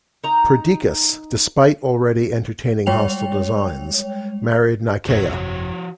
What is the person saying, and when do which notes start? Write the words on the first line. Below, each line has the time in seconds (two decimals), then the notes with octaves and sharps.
Perdiccas, despite already entertaining hostile designs, married Nicaea.
0.24 D#4 A#5
2.86 G3 G#3 C#5 G5 F7
5.08 G1 F2 C3 F3 F#4 C#5